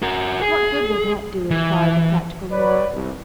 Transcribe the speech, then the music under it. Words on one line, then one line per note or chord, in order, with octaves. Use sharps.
"What good will that do?" enquired the practical Nora.
F#4 A#4
G#4
E3
B4 C#5 D5
C2